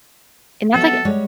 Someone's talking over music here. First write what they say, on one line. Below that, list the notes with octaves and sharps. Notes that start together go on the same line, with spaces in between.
And that's like
F#3 B3 A4 E5
G3 G#3 C#5